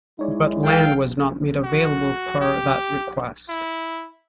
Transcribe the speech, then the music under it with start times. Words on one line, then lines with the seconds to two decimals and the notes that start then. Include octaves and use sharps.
But land was not made available per that request.
0.19 G#3 D#4 E4 C#5 D5
0.64 A4 F5 G5
1.64 F#4
2.41 G4
3.49 E4